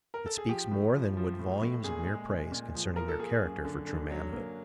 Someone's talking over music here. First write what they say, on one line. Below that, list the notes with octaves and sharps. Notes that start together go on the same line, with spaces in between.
It speaks more than would volumes of mere praise, concerning their character for true manhood.
A#4
A4
G#4
F3 G4
A2
F3
F3
A2
A2
A#2 G#4
G#3
A#2
A#2
F3
F3 A#4
A4
A#3 G#4
F#2
D3
D3
F#3
A#3